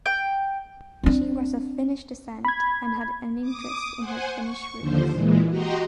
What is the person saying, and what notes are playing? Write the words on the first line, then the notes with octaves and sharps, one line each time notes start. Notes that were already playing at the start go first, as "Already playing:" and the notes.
She was of Finnish descent and had an interest in her Finnish roots.
G5
C4 D4
B5 G#6
D6 D#6
C5 F#5 G#5
C#6
D#2 D3 F3 C5
A#2 E3 G#3
F#4 G4 D#5 A#5 C6